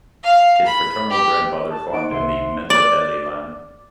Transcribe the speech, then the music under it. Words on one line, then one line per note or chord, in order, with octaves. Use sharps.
His paternal grandfather farmed in Matabeleland.
F5
B5
G4
A5
D#4 C5 D#5 F#5 D7
C2 C3 E5 C6
D5